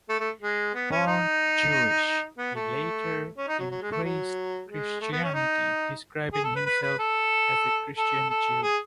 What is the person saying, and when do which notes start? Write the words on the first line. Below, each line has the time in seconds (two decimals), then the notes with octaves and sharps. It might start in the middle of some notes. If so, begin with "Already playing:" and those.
Born Jewish, he later embraced Christianity, describing himself as a "Christian Jew".
0.09 A3
0.20 A3
0.42 G#3
0.74 B3
0.91 C#4
1.07 D#4
2.38 B3
2.55 A3
3.37 C#4
3.48 D#4
3.59 F#3
3.71 F#3
3.82 G#3
3.92 A3
4.04 F#3
4.69 G#3
5.01 A3
5.12 B3
5.24 C#4
5.34 D#4
6.33 G#4
6.44 A4
6.55 B4
6.66 B4
6.82 B4
6.99 A4
7.97 A4
8.30 A4
8.62 G#4